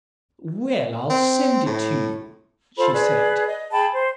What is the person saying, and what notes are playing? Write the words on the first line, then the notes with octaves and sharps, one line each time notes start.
"Well, I'll send it to you," she said.
C4
A2
F4 A4 C5 B5
G#4 B4 D5
D#5
G#4 G5 A5 B5
C5